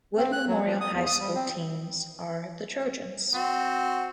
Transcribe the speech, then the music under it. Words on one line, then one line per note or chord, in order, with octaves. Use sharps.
Wood Memorial High School teams are the Trojans.
C4
F#6
F#3
F3
D#6
E2
D#6
G3
C4
C4 F#4